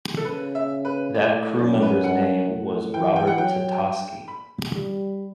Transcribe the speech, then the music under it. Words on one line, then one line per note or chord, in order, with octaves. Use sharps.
That crew member's name was Robert Tatosky.
A4
C#3 B4
E5
B4
A2 D5
F#2 D5
B4
F#5
A2
E3 G5
G5
F#5
F#3 G5
B5
G3